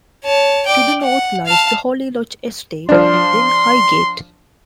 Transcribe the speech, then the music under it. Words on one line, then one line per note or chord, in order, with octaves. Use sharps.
To the north lies the Holly Lodge Estate and then Highgate.
C#5 A5
D5 G5
F#5
F5 A5
F3 D4 C6